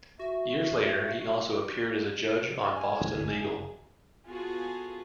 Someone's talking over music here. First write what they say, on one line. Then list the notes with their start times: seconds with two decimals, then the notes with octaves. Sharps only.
Years later, he also appeared as a judge on "Boston Legal".
0.19 F#4 E5
2.76 G#5
3.13 D1 G1
3.29 F#1
3.45 G#4
4.28 B3 F4 F#4 G#4 A4